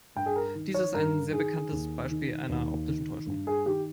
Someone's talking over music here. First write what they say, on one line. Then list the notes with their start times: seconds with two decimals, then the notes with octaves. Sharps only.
Dies ist ein sehr bekanntes Beispiel einer optischen Täuschung.
0.16 G2 G5
0.26 G#4
0.36 A#4
0.55 D#3
0.74 C#5
0.94 G2 A#4
1.33 D#3 G#4
1.71 D#2
2.11 D#3
2.49 D#2
2.88 D#3
3.27 G2
3.47 G#4
3.66 D#3 G4